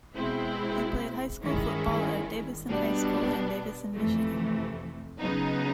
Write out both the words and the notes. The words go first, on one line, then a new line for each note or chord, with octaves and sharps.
He played high school football at Davison High School in Davison, Michigan.
B2 G#3 C4 E4
G2 D#3 G#3 C#4 E4
B2 G3 B3 D4
F2 C3 E3 A3
C#3 F#3 B3 D#4